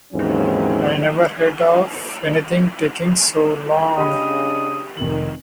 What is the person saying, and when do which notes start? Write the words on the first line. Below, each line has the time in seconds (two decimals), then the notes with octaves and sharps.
I never heard of anything taking so long.
0.13 D#2 G#2 E3 F#3 C4 C#4
3.98 C#3 D4 G4 D#5 G5 B5 D#6
4.97 F1 D#3 F#7